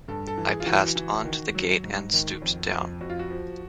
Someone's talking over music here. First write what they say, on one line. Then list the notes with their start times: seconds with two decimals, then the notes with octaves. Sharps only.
I passed on to the gate and stooped down.
0.08 G2 A4
0.27 A4
0.38 E3
0.47 G#4
0.60 F4
0.66 E3 F#4
0.96 E3
1.25 D#3
1.55 F#3
1.84 G#2
2.14 D#3
2.42 F2
2.71 F2
3.01 F2 F#4
3.10 F4
3.19 F#4
3.30 F3